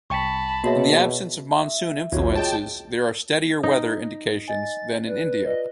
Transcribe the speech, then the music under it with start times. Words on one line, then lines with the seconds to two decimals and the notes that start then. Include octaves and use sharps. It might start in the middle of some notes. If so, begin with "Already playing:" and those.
In the absence of monsoon influences there are steadier weather indications than in India.
0.10 C2 G5 A5 B5 C#6 B6
0.64 B2 A#3 F#4 G#4 C#5 E5
1.51 E5
2.12 A#1 D#2 F4 F#4 C#5
2.35 G#4 D#5 G5 A5
3.63 D#4
4.48 D#5 G#5 A6
5.07 B4 D5
5.46 F4 B4 D5 D#5